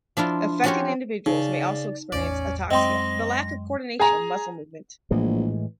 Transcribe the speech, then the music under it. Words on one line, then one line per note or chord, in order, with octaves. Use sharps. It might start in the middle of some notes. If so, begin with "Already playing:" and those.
Affected individuals may also experience ataxia, the lack of coordination of muscle movements.
F3 D4 E4 F4
F3 C#4 F#4 G4 C5 C#5
C#3 D#4 D5
A1 E2 C#4 D5
F#2 G#3 C4 D#4 D#5 G5 C6 A#6
G#4 G#5 A#5
A#1 A2 E3 G#3